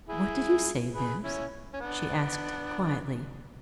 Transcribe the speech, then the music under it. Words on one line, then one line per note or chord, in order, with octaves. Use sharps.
"What did you say, Bibbs?" she asked, quietly.
E4 G#4
G#4 B4
C#4 E4
C#4
B3 D4